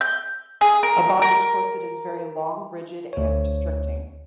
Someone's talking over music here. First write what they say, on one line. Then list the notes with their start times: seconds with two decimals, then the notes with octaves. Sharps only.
A bondage corset is very long, rigid, and restricting.
0.01 G6
0.61 G#4
0.83 A#4
1.22 A#4
3.13 D2 C#5